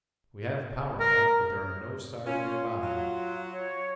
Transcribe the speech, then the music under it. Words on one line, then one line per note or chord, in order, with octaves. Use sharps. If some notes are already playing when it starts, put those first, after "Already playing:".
We have power enough, but there are no stars nearby.
A#4
C#4 F4
F#3
C#5